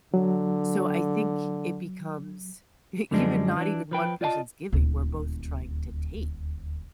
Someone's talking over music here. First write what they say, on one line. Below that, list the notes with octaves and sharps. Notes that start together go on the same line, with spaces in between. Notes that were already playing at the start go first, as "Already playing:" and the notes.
so I think it becomes e even not even one person's giving, we're both trying to take,
D3 F#3
F#2 D3 F3 G3 G#3 D4
E3 D4
F3 B4 G5
F4 D5 D#5 F5 A5
D#1 D2